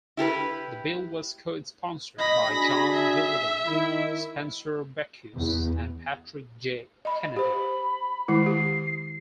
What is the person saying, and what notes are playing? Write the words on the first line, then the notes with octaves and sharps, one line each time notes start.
The bill was co-sponsored by John Doolittle, Spencer Bachus and Patrick J. Kennedy.
E4 G4 A4 B4
D#5 B5 A#6
D4 F#4 G#4
E5
D#3 E4
E2
D#5 B5
G4 C5 B5
D#3 G#3 E4 C7
G4